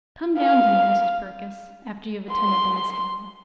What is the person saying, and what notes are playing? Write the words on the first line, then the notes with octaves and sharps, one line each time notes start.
'Come down to me, Mrs. Purkis, after you have attended to Miss Hale.
F5
C6